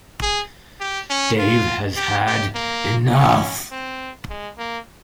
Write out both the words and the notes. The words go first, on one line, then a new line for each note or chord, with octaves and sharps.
Dave has had enough.
G#4
G4
C#4
F4
G4
G4
A#3
C#4
C4
G#3
A#3